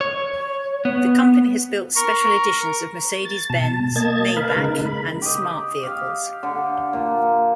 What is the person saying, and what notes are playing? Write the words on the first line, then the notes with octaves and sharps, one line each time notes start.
The company has built special editions of Mercedes-Benz, Maybach, and Smart vehicles.
C#5
B3
A#4 C#6
A6
B2 A5
A#3 D#5 A5 G#6 A6
A#4 B4 F5 B5
C#3 G#3 D#4 A#4
B5
G4 D#5
G4 F5
D3
A#2